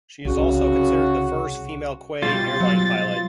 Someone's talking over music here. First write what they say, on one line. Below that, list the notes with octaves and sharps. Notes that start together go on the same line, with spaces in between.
She is also considered the first female Kwe airline pilot.
C2 C#3 F#4
B2 G3 F4 C5 A6
F#3